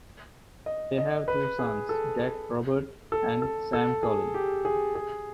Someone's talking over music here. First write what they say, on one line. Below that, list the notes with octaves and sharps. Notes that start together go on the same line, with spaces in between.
They have two sons, Jack Robert and Sam Colin.
D#5
D#5
B4
G#4
A4
A4
A4
A4
G#4
G4
G#4
G#4